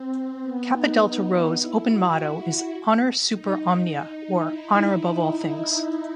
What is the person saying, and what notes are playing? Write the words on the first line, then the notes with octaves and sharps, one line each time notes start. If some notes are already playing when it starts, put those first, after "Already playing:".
Kappa Delta Rho's open motto is "Honor Super Omnia", or "Honor Above All Things".
Already playing: C4
B3
D#4
E4
F#4
D#4
E4